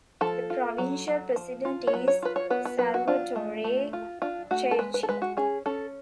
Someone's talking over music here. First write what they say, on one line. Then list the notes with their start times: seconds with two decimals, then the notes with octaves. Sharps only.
The provincial president is Salvatore Cherchi.
0.21 F3 A4
0.50 F4
0.78 F#3
1.08 F#3
1.36 F3
1.65 F4
1.87 C#5
1.93 F#3 B4
2.08 C#5
2.22 F4 B4
2.36 C#5
2.50 B3 B4
2.65 B4
2.79 F#3 B4
2.94 F#4
3.08 D4 F4
3.36 A3
3.64 A3
3.93 F4
4.22 D4 F4
4.51 A3 F#4
4.71 A4
4.79 G#3 B4
4.94 B4
5.03 A4
5.09 G#3 B4
5.22 F#4
5.37 C#4 G#4
5.66 C#4 A4